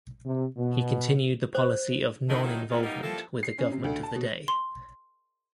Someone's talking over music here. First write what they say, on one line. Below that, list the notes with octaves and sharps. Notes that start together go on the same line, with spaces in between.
He continued the policy of non-involvement with the government of the day.
C3
B2
C5
D3 D#3 D#4
D3 D#3 F#3 A3 D#4 E4
D#3 E3 F#3 G#3 B3 F4
F#2 G3 A#3 B3 D#4
F3 A#3 E4 G4 A4
C7
C#4
C3
D2
A5
B2
C6